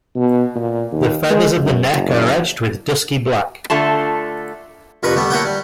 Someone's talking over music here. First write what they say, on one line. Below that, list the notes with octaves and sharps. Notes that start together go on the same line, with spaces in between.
The feathers of the neck are edged with dusky black.
B2
A#2
D#2
G#3
F#2
F#1
D3 A3 F4 A5
C2 F2 A#4 B4 B5 C#6
G3 A3 B3
A3 A#3 E4 C#5 F#5 G5
G3